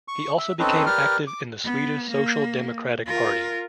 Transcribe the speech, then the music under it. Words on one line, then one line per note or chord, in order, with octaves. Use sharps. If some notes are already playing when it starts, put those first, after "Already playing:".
He also became active in the Swedish Social Democratic Party.
C#6
E5
C4 C#4 D#4 A4 B4
G4 A#4 B4 D5 F6
D6
B3
A#3
F4 A#4